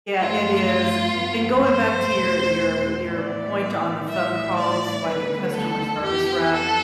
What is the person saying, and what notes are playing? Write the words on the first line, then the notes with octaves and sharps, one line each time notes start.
Yeah, it is. And going back to your your your point on the phone calls, like a customer service rep,
G2 F3 A3 F4
G2 F3 B3
C5
E2 B2 A3
A2 E3 B3 D5
A2 E3 G3 E5
D5
D2 D3 G3 B3 B4
A4
F2 E3 B3 G4
A4